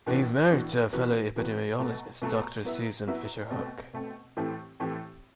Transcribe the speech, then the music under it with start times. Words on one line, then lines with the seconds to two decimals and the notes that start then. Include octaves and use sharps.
He is married to a fellow epidemiologist Doctor Susan Fisher-Hoch.
0.06 A2 E3 B3 D4 F#4
0.50 A2 E3 B3 D4 F#4
0.93 C3 E3 B3 F#4 B4
1.36 C3 E3 B3 F#4 B4
1.79 B2 F#3 A3
2.22 B2 F#3 A3
2.65 F#3 B3 E4
3.08 F#3 B3 E4
3.50 B2 A3 C4
3.93 B2 A3 C4
4.37 A2 E3 A3 C4 G4
4.80 A2 E3 A3 C4 G4